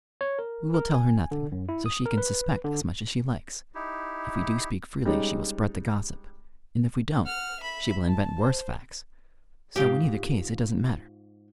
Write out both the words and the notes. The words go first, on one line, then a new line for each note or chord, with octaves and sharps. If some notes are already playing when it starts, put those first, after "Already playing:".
We will tell her nothing, so she can suspect as much as she likes; if we do speak freely she will spread the gossip, and if we don't, she will invent worse facts; so in either case it doesn't matter.
C#5
A#4
A#4
G#5
D3
F#2
E4
D#6
A#4
B4
D3
D#4 E4 G4
G3 G#3 C#4 D#4
F#5 F6
E5 B5
A5
C5
G#2 F4 G4